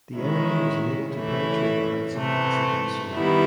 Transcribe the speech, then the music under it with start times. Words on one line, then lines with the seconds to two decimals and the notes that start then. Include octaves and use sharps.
The enemy was unable to penetrate the heights of Casa del Sole.
0.15 D#3 G#3 C#4 E4
1.15 E3 A3 C#4 E4
2.15 C3 E3 A3
3.14 D#3 G3 B3 E4